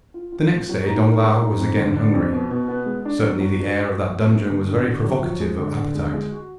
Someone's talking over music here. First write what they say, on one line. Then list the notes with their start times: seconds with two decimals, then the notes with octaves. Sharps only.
The next day Danglars was again hungry; certainly the air of that dungeon was very provocative of appetite.
0.14 F4
0.32 F4
0.51 F4
0.69 F#3
0.87 D#4
1.05 A#4
1.23 G#3
1.41 D#4
1.60 F2
1.78 D3
1.97 D4
2.14 F2
2.32 B2
2.51 B2
2.68 B3
2.86 G#3
3.05 D4
3.23 F#3
3.41 F#3
3.60 D4
3.77 F#4
3.95 F#4
4.14 F#4
4.32 A#3
4.49 D3
4.69 D4
4.86 D3
5.04 F#3
5.22 F3
5.40 G#3
5.58 D3
5.77 D3
5.95 G#3
6.14 G#3
6.32 F#4